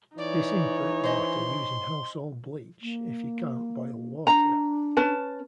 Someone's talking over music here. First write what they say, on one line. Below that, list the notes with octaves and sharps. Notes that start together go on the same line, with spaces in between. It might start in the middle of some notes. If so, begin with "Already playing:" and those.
Disinfect water using household bleach, if you can’t boil water.
E3 D#4 C#5 D5
C5 D#5 G#5 C6
A#3
D4 A#5
C#4 B4 A5